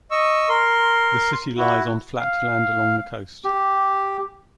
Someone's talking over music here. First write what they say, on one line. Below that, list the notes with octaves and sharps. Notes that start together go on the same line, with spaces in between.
The city lies on flat land along the coast.
D#5 C#6 E6
A#4 C6
E4 F#4
F5
G4